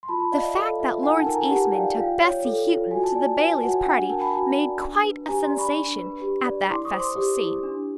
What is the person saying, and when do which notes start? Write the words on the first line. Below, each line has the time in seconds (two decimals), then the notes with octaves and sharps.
The fact that Lawrence Eastman took Bessy Houghton to the Baileys' party made quite a sensation at that festal scene.
0.03 C6
0.08 F4 A5 B5
0.20 A5 B5
0.32 D5 D#5 F5
0.44 E5
0.55 A4 D#5 F5
0.80 F4 E5
1.03 D#4 F#5 G#5
1.18 G5 A5
1.26 A#4
1.34 G#5 A#5
1.45 A5
1.50 G4 F#5 G#5
1.65 G#5
1.74 D5 F5 G5
1.97 F4 F5 G5
2.21 C#5
2.45 A4
2.68 F4
2.91 F#4 G#5
3.04 A5
3.15 D5 G#5
3.27 A5
3.38 B4 G#5
3.51 A5
3.62 F#4 F#5 G#5
3.80 G5
3.86 D4 F#5 G#5
3.98 F#5 G#5
4.09 A#4 G5 A5
4.21 A5 B5
4.33 F#4 G#5 A#5
4.56 D5
4.81 D4
5.04 B4
5.27 G4 G#5 A#5
5.43 A#5 C6
5.50 D5
5.58 B5 C#6
5.74 D4
5.99 B4
6.21 G4
6.45 D5
6.69 E4 C6 D6
6.85 C#6 D#6
6.92 C5
7.00 C6 D6
7.16 G4
7.39 E4
7.63 D4